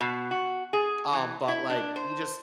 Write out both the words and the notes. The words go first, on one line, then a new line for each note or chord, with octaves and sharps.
Um, but, like, you just
B2
F#4
G#4
E3
E4
D4
C5